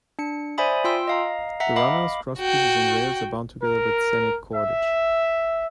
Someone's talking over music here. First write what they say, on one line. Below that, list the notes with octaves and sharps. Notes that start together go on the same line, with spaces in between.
The runners, crosspieces, and rails are bound together with sennit cordage.
D4 C#7
C5 D5 E5 G#5 B5 D#6
F4 G5 C6 E6
D#5 F5 A#5
E5 F#5 A#5
D#5 F5 B5 D6
F#4 G5
A#4
E5